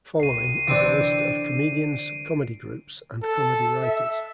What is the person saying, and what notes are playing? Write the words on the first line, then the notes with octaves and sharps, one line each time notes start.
Following is a list of comedians, comedy groups, and comedy writers.
C2 C7 D#7
D3 E3 C4 D4 D7
A4
E5